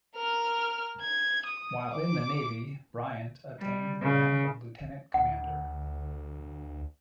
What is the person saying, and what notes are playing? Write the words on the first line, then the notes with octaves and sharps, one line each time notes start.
While in the navy, Bryant attained the rank of lieutenant commander.
A#4 F6
G#6
D#6
D6
G3
C#3
D2 F#5